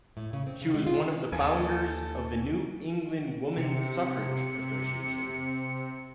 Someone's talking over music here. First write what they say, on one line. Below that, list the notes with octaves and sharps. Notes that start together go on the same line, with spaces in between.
She was one of the founders of the New England Woman Suffrage Association.
A2
C#3
C4
C#3
G#3
F4
D#2 A4 G#5 G#6
C3 C#7